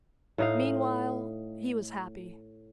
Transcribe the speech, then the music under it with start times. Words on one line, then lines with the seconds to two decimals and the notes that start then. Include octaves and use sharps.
Meanwhile he was happy.
0.38 A2 D#4 F5